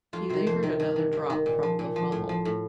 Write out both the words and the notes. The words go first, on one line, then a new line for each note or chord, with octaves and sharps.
He levered another drop from the funnel.
F2 F4
C3 D#3 C5
F2 C5
C3 D#3
G2
D#3
G2
D#3
A#2
F3
A#2
F3
A2
F3
A2